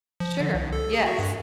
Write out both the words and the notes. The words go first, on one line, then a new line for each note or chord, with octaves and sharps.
Sure. Yes.
F3
D3
C2
A4
G#4
F#4
G2